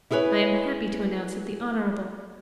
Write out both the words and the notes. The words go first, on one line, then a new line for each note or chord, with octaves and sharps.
I am happy to announce that the Hon.
E4 G#4 A4 B4 C#5